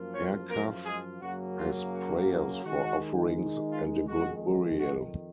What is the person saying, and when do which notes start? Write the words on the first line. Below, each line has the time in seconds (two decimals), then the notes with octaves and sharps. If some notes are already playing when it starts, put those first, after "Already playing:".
Harkuf has prayers for offerings and a good burial.
Already playing: F#2 F3 A#3 F4
0.14 C#4 C#5
0.50 A#3 A#4
0.86 G#3 G#4
1.21 F#2 C#3 F#3 A#3 F#4
1.57 F4
1.93 F#4
2.64 D#3 G#3 D#4 F#4
3.72 F4
4.08 F2 D#3 G#3 F#4
4.79 F#4